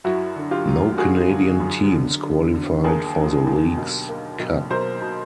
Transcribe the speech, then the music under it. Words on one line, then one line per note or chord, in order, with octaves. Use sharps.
No Canadian teams qualified for the Leagues Cup.
F#2 E4 F#4
D3
F4 G4
F#3
D3 F#4 G#4
D3
F#2
D3
D3
D3
D#2 G#4 A#4
D3
D#2
B1
A#3
B1
B1 A#4 C5
B2